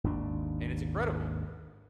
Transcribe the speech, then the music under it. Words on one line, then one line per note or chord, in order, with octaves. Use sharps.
And it's incredible.
G#1 D#2 D4